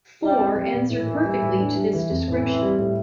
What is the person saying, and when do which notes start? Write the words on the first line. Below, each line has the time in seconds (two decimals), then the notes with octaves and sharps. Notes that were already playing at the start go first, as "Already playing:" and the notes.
Faure answered perfectly to this description.
0.22 G3 E4
0.39 C4
0.55 F3 G3
0.74 A#2
0.90 A2 E3
1.07 A#3
1.25 G3
1.41 A2
1.59 D4
1.76 G3
1.93 E3
2.10 F2
2.28 A2 E3
2.45 C4
2.62 G3
2.79 A2